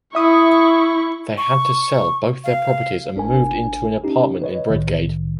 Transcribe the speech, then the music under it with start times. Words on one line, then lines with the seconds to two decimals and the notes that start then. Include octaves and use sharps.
They had to sell both their properties and moved into an apartment in Bredgade.
0.15 E4 E5 C#6 D#6
1.38 C#6
2.44 F5
3.15 G#1 D4 A#4 G#5
4.04 C#4 D#4 G4
4.42 B4 C#5 D#5
4.70 C2 A2 D#3